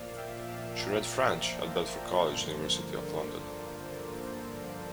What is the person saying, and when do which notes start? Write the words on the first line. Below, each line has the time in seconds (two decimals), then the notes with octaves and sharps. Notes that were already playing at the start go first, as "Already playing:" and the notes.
She read French at Bedford College, University of London.
Already playing: A#2 F3 A#3 D5 F5
0.17 E5 G5
0.48 F5 A5
0.79 G5 A#5
1.09 F5 A5
1.41 C5 E5
2.34 G2 D3 F3 A#3 A4 C5
2.66 A#4
2.96 A#4 D5
3.27 A#4